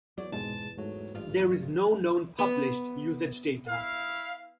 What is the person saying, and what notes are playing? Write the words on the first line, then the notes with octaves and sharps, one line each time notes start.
There is no known published usage data.
E2 F#3 D5
F1 G#2 B2 G#3 A5
G#2 F#3 A3
A1 G2 F4
E2
B3
E4 F5